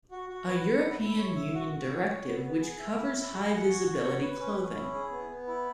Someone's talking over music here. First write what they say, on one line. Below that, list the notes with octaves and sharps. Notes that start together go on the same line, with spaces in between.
A European Union directive which covers high-visibility clothing.
F#4
F#4
B4
F#5
E4
E4
C#5
E5
F#4
F#4
C#5
C#5
B3
B3
G#4
E5
E4
E4
G#4
F#5
F#4
F#4
C#5
B4
C#4
C#4
E4
G#4
B3
B3
E4